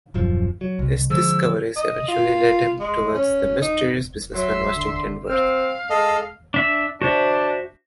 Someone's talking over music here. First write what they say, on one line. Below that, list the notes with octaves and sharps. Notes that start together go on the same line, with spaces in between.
His discoveries eventually lead him towards the mysterious businessman Washington Wirth.
D#1 F#2 F3
F#3
C2
D3 F3 G#3 E6
D#5
F4
G#3
C#4
D#4
F#3 E5 C6
D3
C4 F5
G#3 A4 D#5
D4 E5 E6
D4 F#4 C5 E5